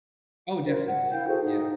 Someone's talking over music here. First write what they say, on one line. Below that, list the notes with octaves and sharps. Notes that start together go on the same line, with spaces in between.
Oh, definitely, yeah.
A#4 C5
F#5
E4 F5 G5 G6
F#4 G#4 A4 C5
D#4